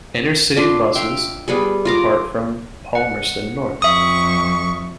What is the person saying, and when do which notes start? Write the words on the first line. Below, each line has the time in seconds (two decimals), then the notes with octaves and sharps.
Inter-City buses depart from Palmerston North.
0.57 D4 F4 C6
0.95 E5 F5 G5
1.48 G3 B3 G#4
1.85 F4 A#5 D6
2.95 F#5
3.82 F2 E5 C#6 D#6